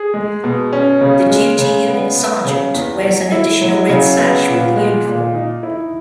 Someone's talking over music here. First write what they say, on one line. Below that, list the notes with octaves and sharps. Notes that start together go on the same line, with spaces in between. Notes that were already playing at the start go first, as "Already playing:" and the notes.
The Duty Unit Sergeant wears an additional red sash with the uniform.
Already playing: G#4
G#3
B2
C#4
C#3
G#3
C#3
B3
B3
C#3
E2
F#3
E4
F#3
C#3
B3
A#2
G#3
A#2
D#4
E4